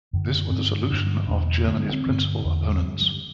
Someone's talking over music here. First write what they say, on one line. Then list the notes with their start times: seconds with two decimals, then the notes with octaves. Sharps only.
This was the solution of Germany's principal opponents.
0.13 F#2 D3
0.51 G2 D3 C4
0.90 G2 D3 D4
1.28 E2 B2 D4
1.67 D3 C4
1.71 G2
1.80 B3
1.93 C4
2.06 G2 D3
2.45 E2 D3
2.82 G2 D3 F#3
3.02 F#3